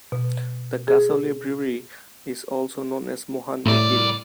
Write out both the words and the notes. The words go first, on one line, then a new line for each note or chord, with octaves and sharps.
The Kasauli brewery is also known as Mohan Meakin.
B2
G#4
C2 A2 D5